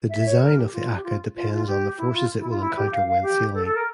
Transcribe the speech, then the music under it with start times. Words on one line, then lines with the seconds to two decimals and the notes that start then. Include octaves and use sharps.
The design of the aka depends on the forces it will encounter when sailing.
0.10 E5
0.26 C#5
0.41 A#4
0.57 G4
0.73 F4
0.95 G4
1.04 F4
1.35 F4
1.51 F4
1.67 G4
1.98 E4
2.13 F4
2.39 E4
2.50 F4
2.60 E4
2.76 G4
2.92 F5
3.07 F5
3.23 G4
3.54 A4
3.64 A4
3.75 A#4